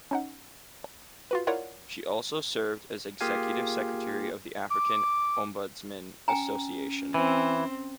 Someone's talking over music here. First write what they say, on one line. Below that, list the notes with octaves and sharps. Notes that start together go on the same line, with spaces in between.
She also served as Executive Secretary of the African Ombudsman Association.
C#4 D#4 F#5
F4 F#4 B4
E4 F4 A#4 C#5 D5 F#5
A#3 F4 G4 G#4 F5 G#5
D6
C#4 G5 G#5 A#5
E3 C4